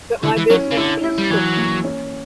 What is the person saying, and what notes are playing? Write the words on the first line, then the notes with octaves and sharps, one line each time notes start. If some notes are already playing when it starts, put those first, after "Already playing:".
But my business is cooking.
D3 E4
E3
F#3 C#4
C#3
D3 E4
E4
G3
E3 F#3
A#3
C#4